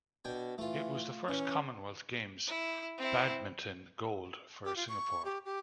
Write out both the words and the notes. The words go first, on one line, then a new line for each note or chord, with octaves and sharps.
It was the first Commonwealth Games badminton gold for Singapore.
B2 D4 G5 G#5
E3 A3 F4
E3 C#4
E4
C4 E4
G4
F4
C#6
G4
G4